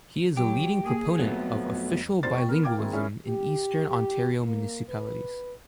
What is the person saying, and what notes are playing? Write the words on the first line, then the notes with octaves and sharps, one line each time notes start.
He is a leading proponent of official bilingualism in Eastern Ontario municipalities.
F#3 G4
A#3 G#4
F2 F#3 A3 B3
E1 E2 C3 C5 A6
G5 C#6
B3 A#4
A#4 F5 G5 D6 G#6
D#3 G#3 A#3 C4 E4
C#4 E4 G#4 A#4
G4
G4
A#3
B4